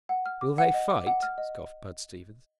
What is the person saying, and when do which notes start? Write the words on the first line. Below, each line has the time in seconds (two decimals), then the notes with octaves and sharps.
"Will they fight?" scoffed Bud Stevens.
0.09 F#5
0.26 F6
0.41 D6
0.58 F#5
0.74 D#5
0.90 D6
1.07 F#5
1.23 F6
1.38 D#5